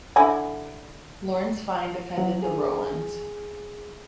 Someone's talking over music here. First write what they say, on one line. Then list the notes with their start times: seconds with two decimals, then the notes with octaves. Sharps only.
Lawrence Vine defended the Rowlands.
0.16 D3 E4 G#5
2.18 F#3
2.42 G#4